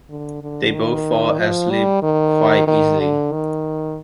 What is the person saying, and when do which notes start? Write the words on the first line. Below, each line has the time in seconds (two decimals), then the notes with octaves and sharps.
They both fall asleep quite easily.
0.10 D3
0.42 D3
0.74 D#3
1.39 F3
1.71 G3
2.03 D#3
2.67 D#3
3.00 D3
3.32 D#3